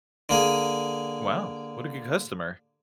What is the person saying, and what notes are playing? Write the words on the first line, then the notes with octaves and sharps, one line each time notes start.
Wow. What a good customer.
D3 A#3 G#4